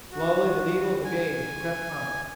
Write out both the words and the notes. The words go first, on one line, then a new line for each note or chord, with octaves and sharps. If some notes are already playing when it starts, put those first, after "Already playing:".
Slowly the needle of the gauge crept up.
F#4
G#5